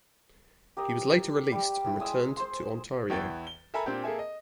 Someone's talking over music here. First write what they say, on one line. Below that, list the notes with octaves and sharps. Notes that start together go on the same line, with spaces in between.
He was later released and returned to Ontario.
G4 A#4 D#5
E6
G3 G5
E4
G#3 G#5 D#6 E6
C5 C6
E2 E3 E4 G5 C#6 A6
G7
A4 A#4 E5 G#5 A#5 B5
A#2 C4 D4 G4
A#3 G#4 A4 E5 G#5
D#5